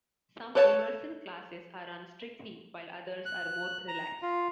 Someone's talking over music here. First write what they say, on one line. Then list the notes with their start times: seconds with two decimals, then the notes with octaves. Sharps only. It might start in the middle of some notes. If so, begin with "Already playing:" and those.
Some Emerson classes are run strictly while others are more relaxed.
0.55 A4 B4 C#5 D#5 A5
3.25 F#6
3.88 A#5
4.22 F4